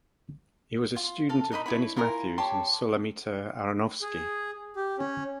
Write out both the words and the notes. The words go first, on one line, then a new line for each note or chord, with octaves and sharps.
He was a student of Denis Matthews and Sulamita Aronovsky.
F4
A4 F5 A5
D#4 D#5 F#5 B5
E4 C#5 B5
E4 F4 A#4 G#5
G4 C#5 A5 C6
G#4
G4
C#4